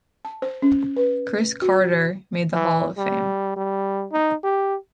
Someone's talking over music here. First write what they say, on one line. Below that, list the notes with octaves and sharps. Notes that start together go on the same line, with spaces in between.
Cris Carter made the Hall of Fame.
A5
C5
C#4
B4
F#4
E3
G3
G3
D#4
G4